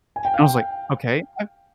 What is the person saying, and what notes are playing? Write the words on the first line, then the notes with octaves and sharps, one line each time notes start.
I was like, "Okay, I've"
G#5
G5
F5
G5